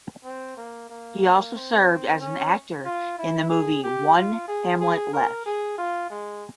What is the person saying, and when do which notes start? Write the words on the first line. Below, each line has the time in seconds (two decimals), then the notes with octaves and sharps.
He also served as an actor in the movie "One Hamlet Less".
0.24 C4
0.57 A#3
0.89 A#3
1.56 C4
2.20 C#4
2.85 F4
3.18 E4
3.50 G#4
3.83 G4
4.16 F4
4.48 G#4
4.80 G#4
5.13 A#4
5.46 G#4
5.78 F4
6.10 G#3